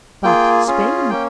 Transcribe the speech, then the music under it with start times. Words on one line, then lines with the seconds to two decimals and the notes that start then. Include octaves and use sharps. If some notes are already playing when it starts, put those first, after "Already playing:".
But Spain?
0.24 A#3 F4 G#4 G5
0.67 C#4 F4 G#4
1.10 A#3 C#4 G5